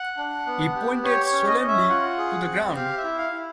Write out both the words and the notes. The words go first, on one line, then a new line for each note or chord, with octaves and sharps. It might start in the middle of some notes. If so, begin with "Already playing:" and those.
He pointed solemnly to the ground.
Already playing: F#5
D4
B3
G4
G4 C#5
C#5
C#4
D#5
C#4
E5
F4 F#5
G#4
C4
G4 F5
E5
E4
F5
E4